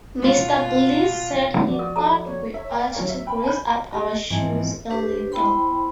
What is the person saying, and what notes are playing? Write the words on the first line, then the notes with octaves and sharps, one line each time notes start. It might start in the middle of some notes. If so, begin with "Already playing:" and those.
Mr. Bliss said he thought we ought to grease up our shoes a little.
B2 F4
F3 F#4 D5
A#4
A4 A#5
C#5
C#5 E5
D5 F5 G5 A#5
F#3 C#4 A#4 C#5
F#4 E5
G5 B5
G#5 B5 G6
G4 D#5
G#2 E3 F3 C4
D4 G4 B4 C5
B3 E4 C5 G5 B5 C6